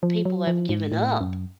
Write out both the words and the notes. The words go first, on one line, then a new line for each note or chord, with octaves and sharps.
people have given up,
F3
F#3
F3
G#2
A2
F#2